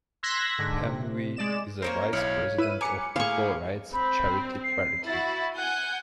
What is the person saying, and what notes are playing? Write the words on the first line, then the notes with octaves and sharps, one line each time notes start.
Hamwee is a vice president of equal rights charity Parity.
C6 E6 F#6 G#6 A#6 B6
G#2 D3
C3
G#3 D5 E7
A#3 C#4 A#4 C5 D7
B1 E4 C#5 F5 F6
E4 B4 E6 D#7
F#3 G#5 A#5 D6 C#7
A2 A#3 G#4 F5 C#6
C4 B5
C7
E4 F#4 A6
F#5 G#5 F#6 G6